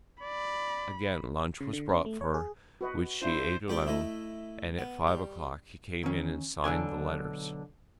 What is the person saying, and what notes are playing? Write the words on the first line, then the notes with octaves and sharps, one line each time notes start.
Again lunch was brought for her, which she ate alone, and at five o'clock he came in and signed the letters.
D5 B5
C#3
D3
C#4
A3
C#5
G#4
F#4 B4 D#5
D4 E4 F4 C5
C#2 G4 D5 G5
A3 E4 D#5
B3
G3
D#3 C#4
B1 B2 D3 G#5